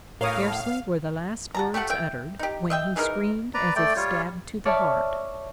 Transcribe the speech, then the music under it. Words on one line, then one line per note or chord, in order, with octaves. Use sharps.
Scarcely were the last words uttered when he screamed as if stabbed to the heart.
A2 A#4 C#5 F5 D#6
F#4 A5 A#5
A3 G4 A4 F#5
E5 G5
D#4 G4
D#5 E5 G5
E3 G#3 D#4 A#4
B4 D5 A#5
A3 D5 G5
G3 F4 C#5
C#5 D5 E5 A5 F6 C#7